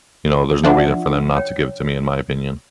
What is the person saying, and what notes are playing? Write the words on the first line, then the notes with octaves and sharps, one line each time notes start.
you know, there's no reason for them not to give it to me in my opinion.
F3 D4 E5 F#5
C#5 G5